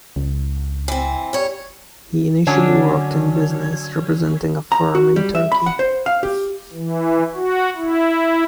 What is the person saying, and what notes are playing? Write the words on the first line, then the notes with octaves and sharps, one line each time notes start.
He initially worked in business, representing a firm in Turkey.
C#2
E3 C4
G3 C#5
D3 F#3 C#4 D4
A#5
F#4
G3
E5
B5
F#5
C5
F5
G4
E3
F#4
E4